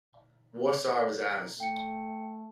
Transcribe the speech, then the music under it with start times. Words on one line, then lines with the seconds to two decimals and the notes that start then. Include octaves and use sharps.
Warsaw is ours!
1.60 A3 G5 C#7